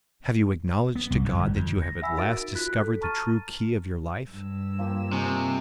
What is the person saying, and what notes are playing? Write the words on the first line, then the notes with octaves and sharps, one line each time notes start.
Have you acknowledged to God that you have at last discovered the true key of your life?
B3
C2
F#2
G1
F2
A#6
E5 F#5 G#5 B5 E6 B6
D#4 F#4 A#4 A6 D7
F4 F#4 F#6 B6
A4
A5 A#5 C#6 F6 A6 D#7
G2 E6
F3 A#3 G4
C3 D#4 G#5 C#6